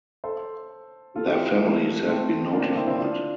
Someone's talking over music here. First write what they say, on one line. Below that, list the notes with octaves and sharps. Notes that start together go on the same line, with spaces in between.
Their families have been notified.
A4 C5
F4 A4
E4 G4
A#3
A3
A#3
A3 C4
A#3 D4
C4
A#3 D4
C4 E4
C4 E4
D4 F4